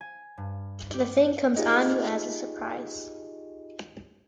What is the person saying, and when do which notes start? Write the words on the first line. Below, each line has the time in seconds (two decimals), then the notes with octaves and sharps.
The thing comes on you as a surprise.
0.01 G#5
0.37 G2
0.94 G4
1.56 D#4 F4 G4 G#4 D#5